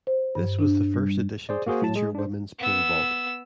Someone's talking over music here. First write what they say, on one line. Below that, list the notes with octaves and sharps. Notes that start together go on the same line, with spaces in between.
This was the first edition to feature women's pole vault.
C5
G2
D4
G3
G#4 C5 D5
A#3 F#4 G#4 C5
A2 F#3 A5
G#3 G#4
D4 C5
B3 E6